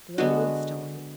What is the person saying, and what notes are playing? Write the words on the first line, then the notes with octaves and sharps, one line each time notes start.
The old story.
D3 G#3 B3 F#4